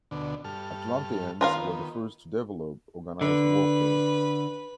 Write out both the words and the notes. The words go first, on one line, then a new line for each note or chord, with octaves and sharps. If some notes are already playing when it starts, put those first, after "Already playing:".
Atlanteans were the first to develop organized warfare.
D2 B2 D3
G2 A4 F6
D#3 B3 F4 A#4 F5
D3 B4 B5